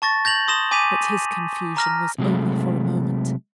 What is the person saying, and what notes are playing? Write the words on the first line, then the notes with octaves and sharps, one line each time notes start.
But his confusion was only for a moment.
A5 C#6 A6 A#6
G6 A#6 F7 F#7
C6 D#6 A#6 E7
G#5 D6 G6 B6 D#7 F7
A#5 F6 A#6
C3 F#3 G#3 A3